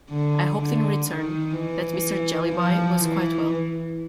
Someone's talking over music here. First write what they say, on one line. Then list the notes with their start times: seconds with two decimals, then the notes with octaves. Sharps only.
I hoped in return that Mr. Jellyby was quite well.
0.10 D3
0.59 D3
1.08 D#3
1.57 E3
2.55 F3
3.03 E3